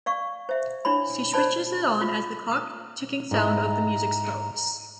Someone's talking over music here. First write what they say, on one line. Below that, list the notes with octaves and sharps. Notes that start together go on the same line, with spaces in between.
She switches it on as the clock ticking sound of the music starts.
D5 F5 C#6
C5 E5
D4 E4 C#5 B5
C5 D5 A5 B5
F4
D#6
G#2 G#3 E4 A#5